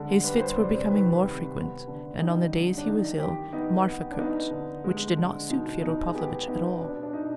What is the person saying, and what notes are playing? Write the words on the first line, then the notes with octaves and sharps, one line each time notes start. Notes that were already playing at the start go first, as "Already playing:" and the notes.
His fits were becoming more frequent, and on the days he was ill Marfa cooked, which did not suit Fyodor Pavlovitch at all.
Already playing: D3 G#3
G3 B4
C5
C3 D5
C5
D#3 B4
C3
B3
D3
G3 D#4
D3
D4
D#3 D#4
D#3 G4
B3 D#4
B3
D4
B3 D#4
D3
G#3
D3
B2 D#4
B2 D#4
G#4
B3 G4
B3 D#4
B2 D4
D4
B2 D#4